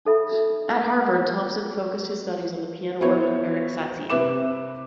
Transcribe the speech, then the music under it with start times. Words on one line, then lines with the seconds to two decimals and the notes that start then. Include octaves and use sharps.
At Harvard, Thomson focused his studies on the piano work of Erik Satie.
0.05 D#4 A4 E5 B5
3.00 F3 B3 E4 F#4 C5 C#5
4.10 C3 B4 E5 D6 E7